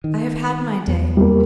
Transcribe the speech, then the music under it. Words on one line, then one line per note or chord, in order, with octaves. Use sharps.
I have had my day.
D#3
E2 B3
G3 A#3